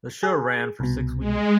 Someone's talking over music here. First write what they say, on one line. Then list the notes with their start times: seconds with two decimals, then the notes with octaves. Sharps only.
The show ran for six weeks.
0.23 G#4
0.80 C2 B2
1.19 G#3